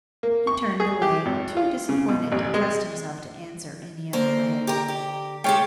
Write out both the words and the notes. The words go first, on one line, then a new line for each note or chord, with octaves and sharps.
He turned away, too disappointed to trust himself to answer any other way.
A#3
C#6
G#4
G4
G#1
F4
C#3
B2
A1
G#3
D3 A#3 C5
G4 A#4
G4
G#3 A3 G4 C#5 F5 G5